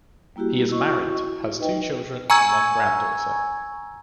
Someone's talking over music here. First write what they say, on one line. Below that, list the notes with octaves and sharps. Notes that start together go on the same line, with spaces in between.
He is married, has two children and one grand daughter.
G3 A#3 E4 F#4 G4
E4 F#4 D#5 C#6
D#4 B4 D#5 G5
G#5 A#5 C#6 E6 G#6